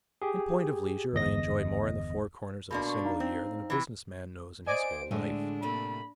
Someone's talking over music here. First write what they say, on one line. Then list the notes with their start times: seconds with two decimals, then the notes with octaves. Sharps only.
In point of leisure, I enjoy more in the four corners of a single year than a business man knows in his whole life.
0.22 G4 G#4
1.13 G1 E2 D#5 A#6
2.71 B2 A#3 D4 B5 C6
2.86 C6 C#6
3.05 D#4 F5 A#5
3.20 C4
3.70 C3 E3
4.66 C5 D5 D#5 G#5 D7
5.11 A2 D3 G#3 A3 D4
5.62 C3 A3 A#3 B5